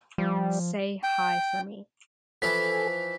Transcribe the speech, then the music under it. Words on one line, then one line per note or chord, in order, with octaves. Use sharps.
Say hi for me.
F3 G3
G5
E3 F3 E4 A4 G#5 B6